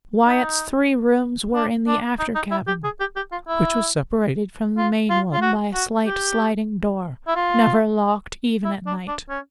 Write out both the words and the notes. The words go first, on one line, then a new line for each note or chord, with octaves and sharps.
Wyatt's three rooms were in the after-cabin, which was separated from the main one by a slight sliding door, never locked even at night.
D#4
D4
D4
D#4
D#4
E4
G4
G#4
G4
G4
F4
E4
F4
F4
F4
F#4
F#4
G4
E4
F4
E4
D4
D4
C#4